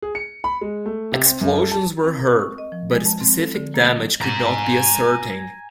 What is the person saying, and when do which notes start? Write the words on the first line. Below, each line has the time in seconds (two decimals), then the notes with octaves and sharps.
Explosions were heard, but specific damage could not be ascertained.
0.02 G#4
0.15 C#7
0.44 B5
0.61 G#3
0.86 A3
1.12 C3
1.26 C4
1.41 F#2
1.58 A4
1.71 A5
2.03 C4
2.19 A#4
2.39 C#6
2.58 D#5
2.72 F3
2.91 G#3
3.05 A5
3.21 C4
3.38 A4
3.55 D3
3.74 A#3
3.96 F#3
4.21 G#5 A#5